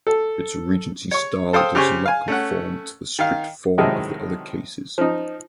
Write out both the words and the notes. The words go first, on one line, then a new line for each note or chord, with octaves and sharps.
Its Regency style does not conform to the strict form of the other cases.
A4
C#5 C#6
A4 C5 F5 G5 D#6
C#3 G4 C5 G#5 C#6
F5 G#5
A3 C#4 F#5
D#3 F5
A2 C3 D#3 F#3 G#3 D#4
F3 D#4